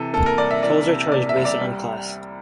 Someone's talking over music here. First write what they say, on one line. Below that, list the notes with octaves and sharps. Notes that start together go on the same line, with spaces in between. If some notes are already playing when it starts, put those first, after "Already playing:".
Tolls are charged based on class.
Already playing: C3 E3 A4
A#3 A4
A#4
C2 D5
E5
E3 D5
C3
A#3 D5
E5
C2
D5
G3